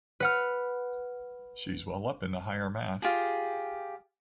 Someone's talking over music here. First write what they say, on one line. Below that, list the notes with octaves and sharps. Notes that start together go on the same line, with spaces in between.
She's well up in the higher math.
B4 F#5 F6
F4 G4 G#4